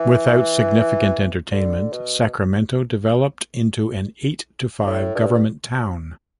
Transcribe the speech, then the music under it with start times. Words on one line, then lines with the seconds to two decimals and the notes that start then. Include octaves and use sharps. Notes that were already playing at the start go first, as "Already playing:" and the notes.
Without significant entertainment, Sacramento developed into an eight-to-five government town.
Already playing: E3
1.51 D3
1.92 B2
4.87 A2
5.15 G2